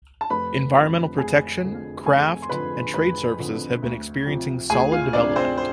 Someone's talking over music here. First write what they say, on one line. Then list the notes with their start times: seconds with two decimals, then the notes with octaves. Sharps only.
Environmental protection, craft, and trade services have been experiencing solid development.
0.21 A5
0.30 F1 B4 B5
0.74 F2 D3 F3
1.18 F1 G#4 G#5
1.62 F2 D3 F3
2.06 F1 G#4 G#5
2.42 C6
2.49 F2 D3 F3 B4 B5
2.94 F1 B4 B5
3.38 F2 D3 F3
3.82 D2
4.26 C3 F3
4.70 D2 G#4 G#5
4.92 F4 F5
5.13 F3 D4 D5
5.17 C3
5.36 C4 C5
5.58 C5